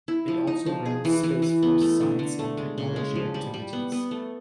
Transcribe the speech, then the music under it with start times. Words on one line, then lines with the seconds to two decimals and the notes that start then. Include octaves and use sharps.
It also runs Space Force science and technology activities.
0.08 E4
0.28 F3
0.47 D#4
0.66 F3
0.85 G#4
1.05 E3
1.23 E3
1.42 E3
1.63 B3
1.81 A3
2.01 D3
2.19 D3
2.39 A3
2.57 G#3
2.78 C#3
2.96 G#3
3.16 F3
3.34 G3
3.54 G3
3.73 B3
3.92 B3
4.11 A3